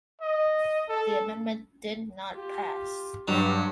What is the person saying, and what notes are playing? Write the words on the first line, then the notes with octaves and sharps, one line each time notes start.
The amendment did not pass.
D#5
A4
F4 G4
G2 F#3 D4 C#5